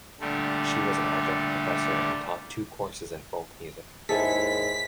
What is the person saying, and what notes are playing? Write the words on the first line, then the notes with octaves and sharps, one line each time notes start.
She was an adjunct Professor and taught two courses in Folk Music.
A#2 D3 G3 A3
D#2 G#2 E4 G#4 A4 B6